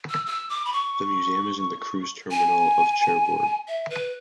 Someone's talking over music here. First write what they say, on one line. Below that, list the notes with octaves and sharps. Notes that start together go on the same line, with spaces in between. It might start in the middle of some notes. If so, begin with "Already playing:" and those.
The museum is in the cruise terminal of Cherbourg.
E6
E6
D6
B5
C#6
G#5
E5
B4